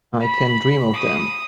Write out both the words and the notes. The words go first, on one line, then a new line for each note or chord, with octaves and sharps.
I can dream of them.
B5
D#6